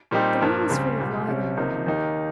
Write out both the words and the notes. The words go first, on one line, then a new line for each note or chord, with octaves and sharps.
The room was full of light and warmth.
A#2 G3 C4 D#4 G4
G2 F3 A#3
C#2 C#3 G3 C4
C2 A#2 G3
C2 C3 G3 C#4
C#2 C3 F3 A#3 D#4
D#2 D#3 A#3 D#4 G4